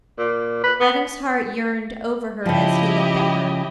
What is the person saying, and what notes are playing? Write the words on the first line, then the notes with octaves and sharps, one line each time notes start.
Adam's heart yearned over her as he looked at her.
A#2
B4
B3
C#3 F3 E4 G4 D#5